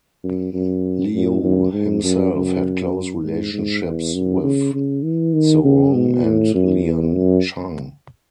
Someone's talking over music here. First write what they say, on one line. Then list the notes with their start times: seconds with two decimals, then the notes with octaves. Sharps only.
Liu himself had close relationships with Soong and Lien Chan.
0.24 F#2
0.53 F#2
1.13 F#2
1.43 F#2
1.73 G#2
2.04 F#2
2.34 F#2
3.23 G#2
3.53 G#2
3.84 E2
4.14 F#2
4.43 C#3
4.74 C#3
5.04 E3
5.34 D#3
5.64 C#3
5.94 B2
6.23 A2
6.54 F#2
6.84 E2
7.14 F#2